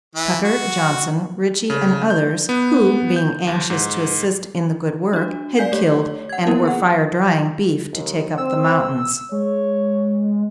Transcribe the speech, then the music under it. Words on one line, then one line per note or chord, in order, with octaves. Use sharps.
Tucker, Johnson, Richey and others, who, being anxious to assist in the good work, had killed, and were fire-drying, beef to take up the mountains.
E3
F#4
C#3
G6
B3
G6
D#2
G#2
D4 F#4
D5 F5 G#5 G6 B6 C7
A3 G4 C#5
F#5 G#6
A#3 B3 C#4 E4 A#4
G#4 F#5
D#2
C4 E6
G#3 C#5